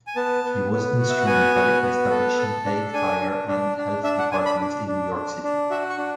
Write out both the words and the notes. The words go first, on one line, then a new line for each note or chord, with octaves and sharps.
He was instrumental in establishing paid fire and health departments in New York City.
G#5
B3 A5
B3
B3
F#4
E5
F#5
B3 G#5
F#4
B3
A4
A4
D4
D4 G#5
D4
D4
D4
D4 E5
F#5
D4 G#5
B5
D4
D4
D4
D4
F#4 E5
C#6
D4